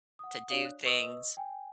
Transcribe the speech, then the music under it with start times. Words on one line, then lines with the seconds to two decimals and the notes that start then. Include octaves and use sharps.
to do things,
0.19 F#5 D#6
0.49 D4 F#4 C#5 D5 F5 D#6
0.65 F#6
0.85 B4 D#5 C#6 D#6 E6
1.37 G5 G#5